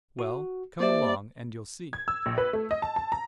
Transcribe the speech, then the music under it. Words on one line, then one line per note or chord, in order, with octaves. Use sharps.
"Well, come along and you'll see!"
F#4
A#3 G4 C5 D5 E5
G#6
E6
A#1
B4
A3
D#5
A5
A5
A#5